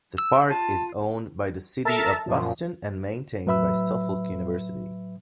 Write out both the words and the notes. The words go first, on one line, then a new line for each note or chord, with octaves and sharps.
The park is owned by the City of Boston and maintained by Suffolk University.
E6
F4 A5
A4 A#4 E5 A5 A#5
F#2 A#2 F3
A2 F#3 B4 E5 B5 E6